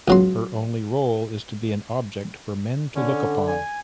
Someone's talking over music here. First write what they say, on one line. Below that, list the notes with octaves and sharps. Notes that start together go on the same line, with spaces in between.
Her only role is to be an object for men to look upon.
C#2 F#3 C6
D3 C#4
G#5